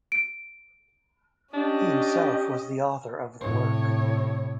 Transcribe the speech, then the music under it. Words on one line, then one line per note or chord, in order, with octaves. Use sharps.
He himself was the author of the work.
D7
C#4 D4 G4 D#5
A2 C3 C#5